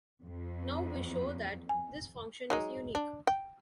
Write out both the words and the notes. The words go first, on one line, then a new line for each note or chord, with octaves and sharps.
Now we show that this function is unique.
F2
G#5
F#3 G#3 D#4
D4
G5